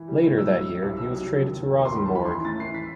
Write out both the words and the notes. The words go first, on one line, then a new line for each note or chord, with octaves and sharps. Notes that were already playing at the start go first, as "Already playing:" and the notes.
Later that year he was traded to Rosenborg.
Already playing: E3
G3
A2
F#3 E6
C3 E6
F#3
C2
D#3 E6
F#3
F#3
D#2
D#3
D#2
D#2 C6
B5
D#3 A5
E3 B5
C6
E3
A2 A6
E3 C7
B6